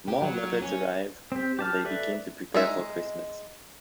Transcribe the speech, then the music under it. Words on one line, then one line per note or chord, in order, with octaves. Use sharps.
More Muppets arrive, and they begin to prepare for Christmas.
G4
F#3
C#4
C4 G4
G4 A5 F6
A4 B4 D5 E5
G#3 D#4 E5